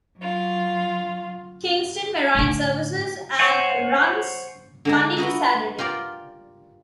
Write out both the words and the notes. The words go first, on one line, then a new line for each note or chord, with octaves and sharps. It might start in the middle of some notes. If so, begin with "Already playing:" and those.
Kingston Marine Services and runs Monday to Saturday.
F#3 F4
A2 D3
C5 C#5 F#5 G#5
D3 G#3 A#5
F#4 B4 D#5 E5
F4 G4 A#4 D5